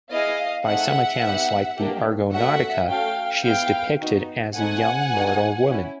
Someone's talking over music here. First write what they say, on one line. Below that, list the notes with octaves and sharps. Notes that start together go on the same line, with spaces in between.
By some accounts, like the "Argonautica", she is depicted as a young, mortal woman.
B3 E4 G#4 D#5 F5
A3 C4 D#4 G#4 E5 F#5
B3 D#4 G4
A#3 D4 G4
A3 C#4 F#4 A4 E5 F#5
A3 C#4 F#4 A4 F5 G5
B3 E4 G#4 F5 G5
B3 D#4 F#4
A3 C4 D#4 F#5 G#5
B3 D#4 F#4 A4
C#4 E4